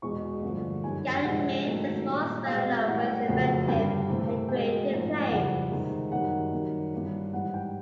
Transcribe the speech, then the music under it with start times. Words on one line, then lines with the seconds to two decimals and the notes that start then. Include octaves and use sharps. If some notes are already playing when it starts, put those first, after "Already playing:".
Kang Min is most well known for his inventive and creative plays.
0.02 E2 B2 G#3 C#6
0.43 G2 D3 F3 A3
0.84 F#2 D#3 G3 G#5
1.24 C3 F3 G#3 F#5
1.65 G#2 D#3 F#3 A3
2.05 A#2 G3
2.46 B2 G#3 F5
2.87 A2 E3 G3 F#5
3.00 G5
3.13 F#5
3.28 F2 C#3 F#3 A3
3.68 G2 D3 G3 G5
4.09 C3 E3 A3
4.49 B2 G#3 G5
4.90 G#2 F3 A3
5.30 F2 C#3 E3 G3 F#5
5.71 C3 D#3 G#3
6.12 F#2 D#3 G3 F#5
6.52 F#2 D#3 G3
6.92 G2 E3 G3
7.33 G#2 E3 G3 F#5
7.54 G5